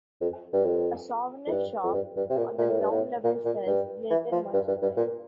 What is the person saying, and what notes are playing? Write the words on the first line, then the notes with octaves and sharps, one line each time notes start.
A souvenir shop on the ground level sells related merchandise.
F2
G2
F2
F2
G2
F2
G2
G2
C3
A#2
A#2
A2
G2
A2
A#2
A#2
G2
E3
F3
G2
G2
G2
A#2